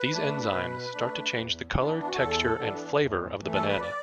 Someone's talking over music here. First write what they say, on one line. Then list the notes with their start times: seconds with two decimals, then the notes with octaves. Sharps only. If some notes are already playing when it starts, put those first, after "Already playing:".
These enzymes start to change the color, texture and flavor of the banana.
Already playing: B4
0.12 A3 D4
0.52 B2
0.94 A3 D4
1.35 E2
1.76 E3 B3 D4
2.08 F#4
2.16 E2 A4
2.58 E3 B3 D4
2.98 E2
3.40 E3 A3
3.54 A4
3.67 B4
3.80 D5